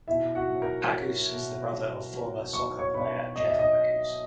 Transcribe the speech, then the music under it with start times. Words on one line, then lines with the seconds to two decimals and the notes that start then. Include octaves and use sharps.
Agoos is the brother of former soccer player Jeff Agoos.
0.08 B2 E4 E5
0.35 F#4 F#5
0.49 F#3
0.62 A#4 A#5
0.89 F#3
1.31 B2
1.71 F#3
2.12 F#3
2.53 F#3 C#6
2.78 C#5 C#6
2.94 B2 B4 B5
3.36 F#3 D#5
3.48 E5
3.59 D#5